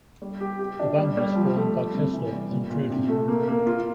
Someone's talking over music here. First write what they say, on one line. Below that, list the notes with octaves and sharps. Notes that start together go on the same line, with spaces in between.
The band was formed by Kessler and Drudy.
G3
G4
G4
D4
G3
G3
F3
A3
G3
C3
E3
G3
A#2
A#2
C3
A3
A#3
A#3
F4